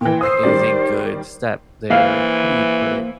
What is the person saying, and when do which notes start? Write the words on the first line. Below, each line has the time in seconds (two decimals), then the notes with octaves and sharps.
is a good step there. How do you put it?
0.01 A#2 E3 G5
0.21 C5 D#6 E6 C7
0.43 D#3 G3 D5
1.90 E3 A#3 C5 F5